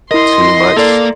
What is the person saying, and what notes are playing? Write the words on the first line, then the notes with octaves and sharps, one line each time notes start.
too much.
E4 A#4 D#5 C6
A#3 A4 D5